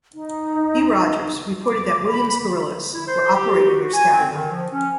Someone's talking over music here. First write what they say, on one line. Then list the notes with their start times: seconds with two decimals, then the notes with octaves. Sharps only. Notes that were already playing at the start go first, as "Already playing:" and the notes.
B. Rogers, reported that "Williams Guerillas" were operating near Scatterville.
0.15 D#4
1.65 D6
2.09 B5
2.94 E4
3.07 C5
3.34 G4
3.68 F#4
3.94 G#5
4.13 C4
4.32 D#3
4.50 F3
4.72 C#4